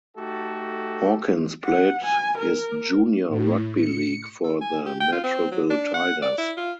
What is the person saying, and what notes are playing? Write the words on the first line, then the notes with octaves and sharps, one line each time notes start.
Hawkins played his junior rugby league for the Matraville Tigers.
A3 D#4 F#4 G4 A4
F#5
G#5
A#4
A2
C#7
A4
G#5
G4
G5
F4
C4
F#3
D4
F#5
D5
E4
F4